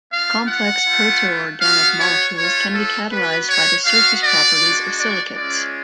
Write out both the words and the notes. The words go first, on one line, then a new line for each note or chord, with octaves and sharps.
Complex proto-organic molecules can be catalysed by the surface properties of silicates.
B3 F4 F5
F#5
A3 F4
B3 F#4 F5
C#5
A3 F4 C#5
A4
B3 F#4 B4
C#5
B3 F#4 F5
D5
G#3 D4 F#4
D5
G#3 C#4 F4 D5